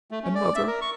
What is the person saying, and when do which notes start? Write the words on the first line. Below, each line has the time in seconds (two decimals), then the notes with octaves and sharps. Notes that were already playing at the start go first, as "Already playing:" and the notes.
"And mother?"
0.11 A3
0.23 C#4
0.35 D5
0.55 E5
0.67 A#4
0.81 C#6